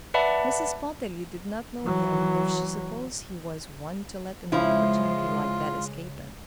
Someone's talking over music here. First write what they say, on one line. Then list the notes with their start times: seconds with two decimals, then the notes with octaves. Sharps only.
Mrs. Pontellier did not know him if she supposed he was one to let an opportunity like that escape him.
0.14 B4 D5 E5 F#5 A5 B5
1.81 E3 F#3
4.52 C#3 F3 G#3 E4 F4 E5